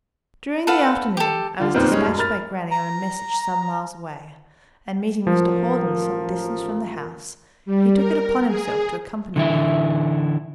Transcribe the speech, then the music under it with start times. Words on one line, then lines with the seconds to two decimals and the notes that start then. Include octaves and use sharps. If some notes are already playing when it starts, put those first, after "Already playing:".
During the afternoon I was dispatched by grannie on a message some miles away, and meeting Mr Hawden some distance from the house, he took it upon himself to accompany me.
0.67 A4 B4 F5 F#5
1.17 G4 A4
1.60 D3 F4
1.74 D#2 A#2 D#3 B3 C4
1.91 G3 G#3 C#4 D#4
2.06 F#2
2.18 A#4 B5 F6 A6
2.72 A#5
5.27 A1 F3 F4 A#4
7.66 G3
7.95 A#4
8.47 G#4
9.36 D3 E3 E4